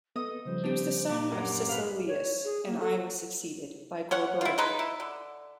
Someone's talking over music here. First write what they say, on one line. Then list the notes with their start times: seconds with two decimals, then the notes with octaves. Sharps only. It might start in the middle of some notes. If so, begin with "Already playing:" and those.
He was the son of Sisillius I and was succeeded by Gorboduc.
0.16 B3 A4 D#5 D#6
0.45 C#3 F3 G3 C5
0.63 D4 G4
1.09 A#2 D6
1.32 F#2 A#4 F#5
1.69 G2 B4 F5
2.08 C#5
2.45 G#4
2.67 A#3
2.80 A4
4.11 C#4 C#5 F#5
4.41 E4 F4
4.58 G#3 D#4 B4
4.79 E4
5.00 D3